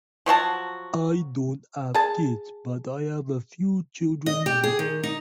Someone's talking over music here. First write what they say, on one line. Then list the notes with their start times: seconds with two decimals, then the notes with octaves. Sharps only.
I don't have kids, but I have a few children's books.
0.26 F3 F#3 F#4 A5
1.94 G#4 A5
4.26 D#5
4.46 G4
4.63 G#4
4.79 D#3
5.04 D#4